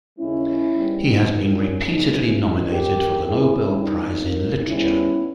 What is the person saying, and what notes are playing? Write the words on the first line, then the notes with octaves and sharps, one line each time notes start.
He has been repeatedly nominated for the Nobel Prize in Literature.
D#2 C#3 G#3 C#4 E4
G#2 G3 B3
D#4
A#2 G3 A#3
C#4
D#2 C#3 G#3 B3 D#4
C#4 E4
D#2 D#3 G#3 B3
G4 A#4
E2 D#3 A#3
E4 G#4
G#2 D#3 G3 C#4 E4
D#4
D#2 D#3 A#3
G#2 G3 B3 C#4 E4